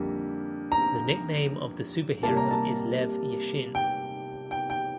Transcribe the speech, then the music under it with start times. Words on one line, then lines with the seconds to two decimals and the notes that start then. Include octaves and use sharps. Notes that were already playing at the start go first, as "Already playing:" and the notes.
The nickname of the superhero is Lev Yashin.
Already playing: F2 D3 G3 A#3
0.72 A#5
2.23 C3 G3 A#3 A5
2.37 A#5
2.51 A5
3.75 G5
4.51 G5
4.70 G5